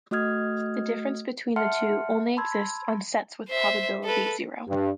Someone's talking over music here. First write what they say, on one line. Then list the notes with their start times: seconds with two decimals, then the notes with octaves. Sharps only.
The difference between the two only exists on sets with probability zero.
0.11 A3 F#4 D#5 D#6 F6 G#6
1.56 E5 F#5 A5 C6 F6 C#7
2.37 A5 B5 C6 E6 G#6
3.49 C5 E5
4.04 A4 B4
4.68 G2